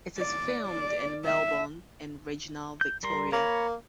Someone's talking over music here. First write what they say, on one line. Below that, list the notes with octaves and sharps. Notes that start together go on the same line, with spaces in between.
It is filmed in Melbourne and regional Victoria.
D5
D5
E5
G6
G3 A#4 C6
A#3 C#5 A#5 B5